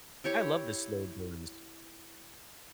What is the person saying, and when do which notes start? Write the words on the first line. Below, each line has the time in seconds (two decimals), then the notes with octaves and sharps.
I love the slow burns.
0.24 E4 G4 C#5